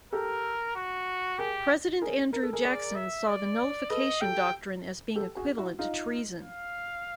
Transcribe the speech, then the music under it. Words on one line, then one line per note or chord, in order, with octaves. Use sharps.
President Andrew Jackson saw the nullification doctrine as being equivalent to treason.
G4 A4 A#4
F#4
G4 G#4 A#4
G#4 A#4
A#4
A4
G#4 A#4
D5
E5
D5
A4 B4 D#5
G4 A4 G5
G4 A4
F#4 G#4
E4 F#4
D#4 F4
F5